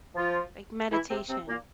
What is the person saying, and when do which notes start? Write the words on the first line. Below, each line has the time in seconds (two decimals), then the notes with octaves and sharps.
Like meditation.
0.15 F3 F4
0.90 E3 E4
1.09 C3 C4
1.28 C3 C4
1.47 A#2 A#3